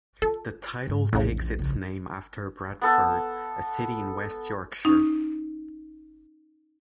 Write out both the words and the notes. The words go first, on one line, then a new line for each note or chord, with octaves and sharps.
The title takes its name after Bradford, a city in West Yorkshire.
F4 A4
G#2
A#1 E2 A2 C#3
C#2
B3 A4
C#4 D#4